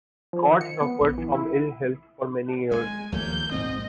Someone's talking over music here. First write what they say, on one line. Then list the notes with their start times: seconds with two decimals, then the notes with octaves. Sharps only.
Scott suffered from ill health for many years.
0.33 F3
0.47 D#3
0.61 C#7
0.81 B3
1.00 A#1
1.18 E3
1.35 E4
2.72 G#3 G#5
3.12 D#2 F3 A3 A#3 G6
3.52 A#1 G#2 C4 D#5